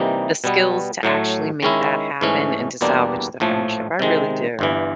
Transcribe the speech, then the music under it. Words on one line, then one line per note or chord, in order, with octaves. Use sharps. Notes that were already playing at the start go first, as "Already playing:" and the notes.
the skills to actually make that happen and to salvage the friendship, I really do.
Already playing: C3 E3 G3 A#3 D#4
B2 G3 B3
A2 F#3 A3
D#3 G#3 C#4 E4
G#2 E3 A3 C#4
E2 B2 G3 A#3 D4
A#1 A2 F3 A3
C3 D#3 G#3
G1 G2 E3